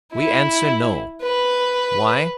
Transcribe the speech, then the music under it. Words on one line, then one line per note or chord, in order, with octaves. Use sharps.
We answer No. Why?
E4
B4